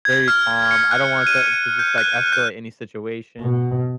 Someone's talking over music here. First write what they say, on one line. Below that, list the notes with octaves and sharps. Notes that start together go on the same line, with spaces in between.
very calm, I don't want that to just, like, escalate any situation.
G#6
F6
C#7
F#6
D#7
G6
F#6
G6
B2